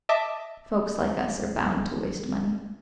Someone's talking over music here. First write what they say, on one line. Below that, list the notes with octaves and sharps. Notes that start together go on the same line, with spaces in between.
Folks like us are bound to waste money.
D#5 E5 A5 D6